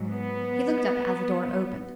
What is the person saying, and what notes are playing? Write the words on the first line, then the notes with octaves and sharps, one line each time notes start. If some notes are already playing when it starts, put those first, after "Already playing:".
He looked up as the door opened.
Already playing: G#2 F#3
B3